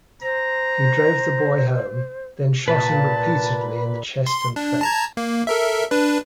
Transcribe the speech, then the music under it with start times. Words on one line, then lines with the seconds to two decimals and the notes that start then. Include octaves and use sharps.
He drove the boy home, then shot him repeatedly in the chest and face.
0.22 C5 A#5
2.68 A#2 B4 A5
4.26 C6
4.56 D4
4.81 A5 A#5 G#6
5.17 A#3
5.47 A4 A#4 E5
5.91 D4 B4